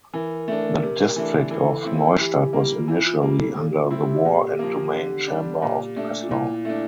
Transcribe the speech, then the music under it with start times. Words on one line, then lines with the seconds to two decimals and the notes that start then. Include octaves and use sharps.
The district of Neustadt was initially under the War and Domain Chamber of Breslau.
0.13 E3 A#4
0.48 A3 D4
0.82 C3
1.16 E3 A3 D4
1.51 E3 A#4
1.55 A4
1.85 A3 C4 E4
2.19 E3 G4
2.53 G3 A#3
2.77 F4
2.88 E3 E4
3.05 F4
3.22 G3 A#3 G4
3.39 A4
3.56 A#2 A4
3.69 G4
3.83 F4
3.91 A3 C4 E4
3.97 A4
4.01 G4
4.25 A#2
4.59 F3 A#3
4.93 D3
5.27 G3 D4
5.62 A#2
5.96 A3 D4
6.22 F4
6.31 A#2 E4
6.65 A3 D4